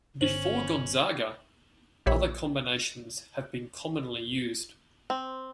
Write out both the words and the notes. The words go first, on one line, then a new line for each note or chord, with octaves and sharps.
Before Gonzaga other combinations have been commonly used.
G1 C#4 C5 F#7
A#1 G4 C#5 E5 B5
C4